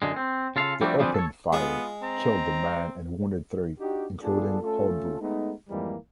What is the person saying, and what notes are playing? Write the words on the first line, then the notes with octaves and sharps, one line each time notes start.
They opened fire, killed a man and wounded three, including Holbrook.
F#2 D3 G#3
C4
C#3 F4 A4 F5
F3 G3 A3 C4 D4 F#4
D3 F3 G3 C4 G#4 B4
A4 C#5
G#3 B3 F4
C4 A#5
D4 D#4 F#4 G4
G3 B3 D4 F4 G#4 A4
A3 C#4 F4 A4
G#3 A3 B3 D#4
F2 G#2 E3 G3 G#3 A#3